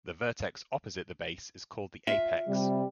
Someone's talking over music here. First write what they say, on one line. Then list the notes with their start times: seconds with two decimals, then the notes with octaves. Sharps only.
The vertex opposite the base is called the apex.
2.07 F4 E5
2.48 C3 G3